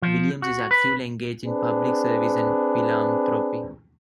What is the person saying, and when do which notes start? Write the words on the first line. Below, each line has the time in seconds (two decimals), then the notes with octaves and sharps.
Williams is actively engaged in public service and philanthropy.
0.02 F3
0.42 F#4
0.71 B4
1.45 C4 D4 G#4 B4